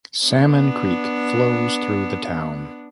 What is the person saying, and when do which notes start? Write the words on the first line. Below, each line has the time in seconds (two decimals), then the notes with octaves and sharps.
Salmon Creek flows through the town.
0.23 B3 D4